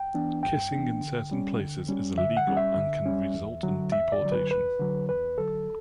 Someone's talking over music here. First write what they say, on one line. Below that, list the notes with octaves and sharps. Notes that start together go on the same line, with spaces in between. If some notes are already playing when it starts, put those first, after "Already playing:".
Kissing in certain places is illegal and can result in deportation.
Already playing: G5
E3 B3 D4
G2 G5
E3 B3 D4
D3
G3 C#4
D3
G3 C#4
D3 E5
F#5
G3 C#4
E5
D3
G3 C#4
E2
D3 F#3
E2 E5
D5
D3 F#3
B4
E2 B4
D3 F#3
E2 B4
D3 F#3 A4